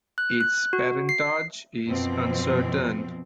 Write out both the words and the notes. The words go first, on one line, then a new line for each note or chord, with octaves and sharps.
Its parentage is uncertain.
F#6
F#6
F#4
C7
F#2 B2 F3 C4